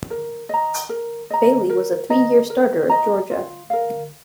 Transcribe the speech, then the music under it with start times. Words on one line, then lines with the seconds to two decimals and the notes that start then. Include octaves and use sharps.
Bailey was a three-year starter at Georgia.
0.10 A#4
0.49 D#5 A#5
0.89 A#4
1.30 D#5 A#5
1.70 A#4
2.10 D#5 A#5
2.50 A#4
2.90 D#5 A#5
3.30 F4
3.70 A#4 F5